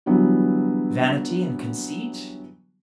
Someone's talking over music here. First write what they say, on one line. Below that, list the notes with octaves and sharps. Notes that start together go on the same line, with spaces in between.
Vanity and conceit?
D3 E3 F#3 G3 B3